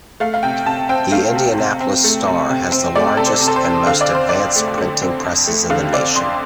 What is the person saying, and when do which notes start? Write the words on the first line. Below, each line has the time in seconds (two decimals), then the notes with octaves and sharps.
The "Indianapolis Star" has the largest and most advanced printing presses in the nation.
0.20 A3 F5
0.34 F5
0.43 C3 G5
0.66 C3 A5
0.89 C4 G5
1.12 A3 F5
1.35 C3
1.58 C3
1.81 C4
2.04 A3
2.27 C3
2.50 C3
2.72 C4
2.96 A3 D5
3.17 C3 A4
3.26 C5
3.40 C3
3.48 A4
3.56 C5
3.65 C4
3.86 D3 F5
4.01 D5
4.10 C4 C5
4.29 F2 D5
4.56 A3
4.78 D3
5.02 C4
5.24 F2
5.47 A3
5.70 D3 F5
5.93 C4 D5
6.15 F2 C6